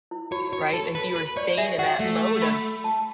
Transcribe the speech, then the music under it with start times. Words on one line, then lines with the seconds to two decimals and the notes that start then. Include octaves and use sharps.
right? If you are staying in that mode of
0.11 E4
0.31 F#4 C#5
0.53 C#5
0.73 A4
0.95 B4
1.16 B4
1.37 C#5 D5
1.57 G#4 E5
1.79 F#4 F#5
2.00 A3
2.42 B5
2.84 A5